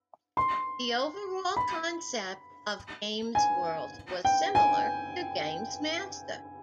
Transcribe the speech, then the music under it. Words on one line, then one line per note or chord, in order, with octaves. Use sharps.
The overall concept of "Games World" was similar to "GamesMaster".
C6
B5
G#5
G5
G#5